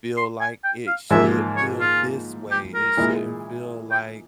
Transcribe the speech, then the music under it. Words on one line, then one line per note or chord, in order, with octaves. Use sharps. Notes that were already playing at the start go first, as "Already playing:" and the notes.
feel like, "It should feel this way. It shouldn't feel like,
C6
G#5
G5
F5
G#2 F3 A#3 E5
C#5
F4
G4
A#4
A#2 G#3 E4 G#4
G5